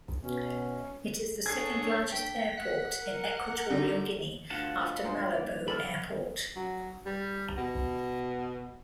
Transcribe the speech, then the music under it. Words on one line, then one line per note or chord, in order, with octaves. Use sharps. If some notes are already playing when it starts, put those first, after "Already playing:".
It is the second largest airport in Equatorial Guinea, after Malabo Airport.
B2 C#4
D4 G#4 A4 C#5 G#6 C7
G5 B6
F#5
A#4
D3 D#4
D2 F4 F#5 A5
F3 D#5 B5
G2 F#3 G#3 C5
D#1 D5
E4 A4 D5 B5 F6
F#3
G3
B2